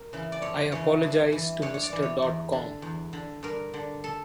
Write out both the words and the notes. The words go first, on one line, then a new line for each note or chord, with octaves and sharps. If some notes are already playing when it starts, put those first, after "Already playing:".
I apologize to Mr Dotcom.
Already playing: A#4
C#3 E3
D5
F2 C#5
C#3 E3 C#5
G2
E3
G2 C#5
C#5
D5
E3
C#5
E2
D3
E2
D3
G2 A#4
D3
A4